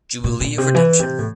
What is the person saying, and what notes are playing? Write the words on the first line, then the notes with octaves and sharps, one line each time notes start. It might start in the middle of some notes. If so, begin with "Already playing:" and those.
Jubilee of Redemption.
A#2
A#2
C3
E3
C3
A2